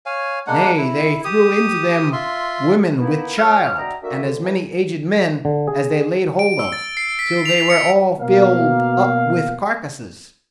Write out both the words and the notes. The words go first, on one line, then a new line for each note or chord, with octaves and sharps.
Nay they threw into them Women with Child, and as many Aged Men as they laid hold of, till they were all fill'd up with Carkasses.
C#5 F5 G#5
G#3 A#3 D4 F#5
E4
G4 D#6
F4 E5 C6
A#3 B3 D#4 E4
E2 F4 C#5 F5 F6
D4 F#4 D#5 E5 G5 A#5
A3 A#3 D4 F#4 A#4 E5
D2 D3
E3
D3
G#4
D7
E6
A6
C7
B6
F7
C#7
B2 A#3 F5